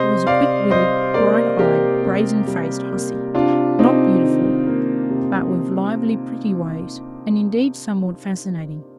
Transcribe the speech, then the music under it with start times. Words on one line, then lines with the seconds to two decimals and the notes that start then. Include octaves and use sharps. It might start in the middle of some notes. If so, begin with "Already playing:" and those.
She was a quick-witted, bright-eyed, brazen-faced hussy, not beautiful, but with lively pretty ways, and indeed somewhat fascinating.
Already playing: C3 C5 D#5
0.27 C3 D5 F5
0.70 G3 C5 D#5
1.14 A#3 A#4 D5
1.59 C3 G4 A#4
2.03 C3
2.47 G3
2.91 A#3
3.35 C3 D4 F4
3.79 C3 C4 D#4
4.22 D#3
4.67 A#3
5.10 C3